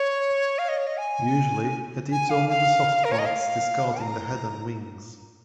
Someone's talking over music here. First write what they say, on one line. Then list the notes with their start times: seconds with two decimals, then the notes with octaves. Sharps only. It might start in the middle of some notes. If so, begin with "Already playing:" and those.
Usually, it eats only the soft parts, discarding the head and wings.
Already playing: C#5
0.58 F5
0.68 D#5
0.77 C#5
0.87 D#5
0.97 G#5
2.12 G#5
2.30 F5
2.49 F5
3.04 A#4
3.12 C#5
3.19 D#5
3.26 F5
4.02 A#5